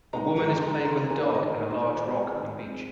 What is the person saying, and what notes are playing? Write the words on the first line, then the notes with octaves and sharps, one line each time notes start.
A woman is playing with a dog and a large rock on the beach.
G#3 D#4 A#5
G#2 A#5
C6
G#3 D#4 A#5
A#5
D#3 C6
A#5
A#3 D#4 G#5
F5
D#3 D#5
A#4
A#3 D#4 A#4
C5
D#3
G#3 C4
D#3
G#3 C4